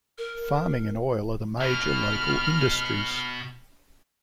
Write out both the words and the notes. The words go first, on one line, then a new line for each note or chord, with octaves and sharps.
Farming and oil are the major local industries.
A#4
B2 F6